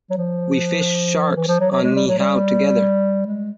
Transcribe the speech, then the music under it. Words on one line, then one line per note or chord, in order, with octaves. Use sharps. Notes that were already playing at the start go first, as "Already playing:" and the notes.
We fished sharks on Niihau together.
F#3
F3
E3
F3
F#3
F#3
G#3
G3
F#3
G3
G#3